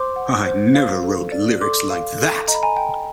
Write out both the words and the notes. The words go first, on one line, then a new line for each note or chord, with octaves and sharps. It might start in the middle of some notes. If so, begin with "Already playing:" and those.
I never wrote lyrics like that.
Already playing: C5 C6 D6
F#5
C5
F5
A4
D5
A4 C6 D6
F5
A4
D#5 A#5
B5
G#5 A#5
G5